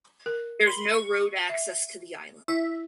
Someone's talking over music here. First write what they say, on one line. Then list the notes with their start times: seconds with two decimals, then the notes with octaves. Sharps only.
There is no road access to the island.
0.26 A#4
0.67 B5 C6
0.94 C#6
1.49 E5
2.48 E4 E5